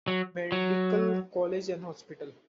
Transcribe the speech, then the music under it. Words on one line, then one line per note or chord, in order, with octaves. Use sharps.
Medical College and Hospital.
F#3
F#3